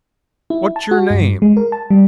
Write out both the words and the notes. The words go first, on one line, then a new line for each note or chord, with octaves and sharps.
"What's your name?"
E4
A5
F#4
G2
G#3
A#4
A5
G3